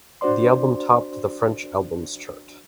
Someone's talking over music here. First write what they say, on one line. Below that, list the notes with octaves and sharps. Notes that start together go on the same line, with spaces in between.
The album topped the French Albums Chart.
D4 F#4 C5 D5 C6